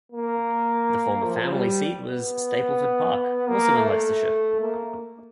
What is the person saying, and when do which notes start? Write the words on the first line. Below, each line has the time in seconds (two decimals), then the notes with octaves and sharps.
The former family seat was Stapleford Park, also in Leicestershire.
0.12 A#3
1.24 F3
1.52 G3
2.08 B3
3.49 A#3
3.77 A3
4.61 A#3